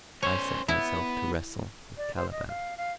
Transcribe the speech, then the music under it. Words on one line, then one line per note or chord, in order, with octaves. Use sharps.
I set myself to wrestle with Caliban. . . .
C#4 C5 C#5
B3 E4
D5
C5
D#5
F5
F5